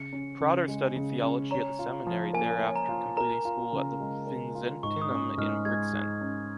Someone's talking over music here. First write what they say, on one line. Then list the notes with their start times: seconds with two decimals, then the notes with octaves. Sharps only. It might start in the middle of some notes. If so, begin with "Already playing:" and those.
Prader studied theology at the seminary there after completing school at the Vinzentinum in Brixen.
Already playing: C#3 C#7
0.13 C#4
0.40 C#3
0.68 G#3
0.96 C#3
1.23 C#4
1.51 C#5 A#5
1.79 F4
2.07 F3
2.33 A#3 G#5
2.61 C#5
2.76 A#5
2.89 F4
3.17 A#4 A#5
3.45 F4
3.73 C#3
4.00 G#3
4.27 A#4
4.55 F4
4.83 G#2 C#6
5.02 D#6
5.10 C#4 C#6
5.38 G#2 F6
5.65 G#3 G#6
5.93 G#2
6.21 C#4